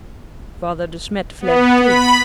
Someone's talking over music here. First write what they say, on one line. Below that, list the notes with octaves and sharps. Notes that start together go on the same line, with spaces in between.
Father De Smet fled, too.
B3
B5